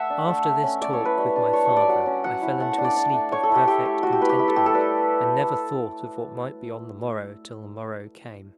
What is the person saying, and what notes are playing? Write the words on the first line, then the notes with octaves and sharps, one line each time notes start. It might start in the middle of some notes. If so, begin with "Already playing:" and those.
After this talk with my father I fell into a sleep of perfect contentment, and never thought of what might be on the morrow till the morrow came.
Already playing: A3 E5 F#5
D4
A3
A3
C#4
A3 D5
C#5
E4
B4
G3
D4
D4 C#5
C#5
G3
D5
F#3 F#5
C#4
F#3 F#5
E4
A3 F#5
F#5
D4
D5
D4
A3
A3 C#5
A4
E4
G4
E4 G4
A3
A3 F#4
G4
E4 B4
G4
E4 B4
A4
A3 G4
A4
G3 B4